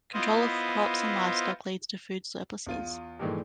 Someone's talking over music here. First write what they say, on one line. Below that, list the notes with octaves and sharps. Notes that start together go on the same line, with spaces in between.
Control of crops and livestock leads to food surpluses.
B3 E4 F4 C5 D#5
E2 F4 D#7
G2 A#2 D#3 E3 G#3 A3